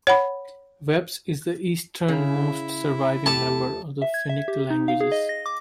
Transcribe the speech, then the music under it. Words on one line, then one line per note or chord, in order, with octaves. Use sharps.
Veps is the easternmost surviving member of the Finnic languages.
C#5 F#5 B5
C#3 E4
E2 A3 G4 A4 A5
E5
G#6
E5
G4
D#4
F5
G#4
D#5
A#6
D6